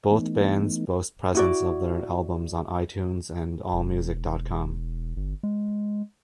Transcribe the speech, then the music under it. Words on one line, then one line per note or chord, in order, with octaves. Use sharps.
Both bands boast presence of their albums on iTunes and Allmusic.com.
E3 A3 B3 D#4
E4 F#4 D5
E1
G1
G#3